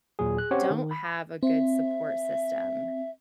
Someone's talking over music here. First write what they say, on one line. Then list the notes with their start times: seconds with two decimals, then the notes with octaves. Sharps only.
don't have a good support system,
0.19 D#2 A#2 F#3 G#4
0.38 G#4 F#6
0.51 C4 C#4 G4 C5 C#5 F#5
0.70 D#3
0.91 B5
1.43 C4 E5